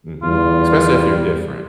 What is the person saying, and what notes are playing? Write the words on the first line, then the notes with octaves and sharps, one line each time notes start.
Mhm. Especially if you're different.
E2 G3 F4